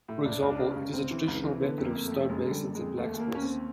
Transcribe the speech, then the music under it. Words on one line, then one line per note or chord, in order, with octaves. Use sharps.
For example, it is a traditional method for stonemasons and blacksmiths.
A2
C#2 D4
C#2
D4
C#3
C#4
C#2
C#2 C4
E3
C#2
E3
D3 B3
F2
A#3
F2
A3
F2
F#1 G#3
D3
G3
F#1
G#3
F2
D#2 A3
D#2
A#3
D#2 C#4
C4
D#2